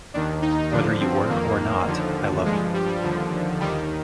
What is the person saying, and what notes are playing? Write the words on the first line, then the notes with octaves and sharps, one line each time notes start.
Whether you work or not I love you.
D#2 D#3 D4
D#4
G2 D3 F3 D4
C4
F2 D#3 A#3
D#2 D3 F3
G2 F3 G#3
G3
D#2 D3 F3
D#2 D#3 G3